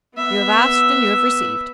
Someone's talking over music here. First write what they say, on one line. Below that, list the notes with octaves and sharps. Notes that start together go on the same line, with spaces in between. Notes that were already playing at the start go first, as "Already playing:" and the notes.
You have asked, and you have received.
B3 E5